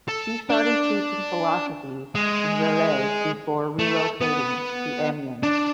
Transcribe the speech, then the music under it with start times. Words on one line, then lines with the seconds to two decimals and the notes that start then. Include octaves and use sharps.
She started teaching philosophy in Lille before relocating to Amiens.
0.08 A4
0.50 D4
2.15 G#3
3.79 A3
4.21 B3
5.43 D4